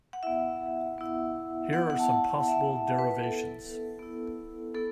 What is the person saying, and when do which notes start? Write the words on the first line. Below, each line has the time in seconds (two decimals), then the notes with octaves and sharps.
Here are some possible derivations.
0.13 F#5
0.23 B3 E4 E5
0.98 B3 E4
1.73 B3 E4 F#5
1.90 F#5
1.99 A5
2.24 F#5
2.41 F#5
2.48 B3 E4 E5
2.99 B4
3.23 B3 E4 A4
3.99 B3 E4
4.75 B3 E4 A4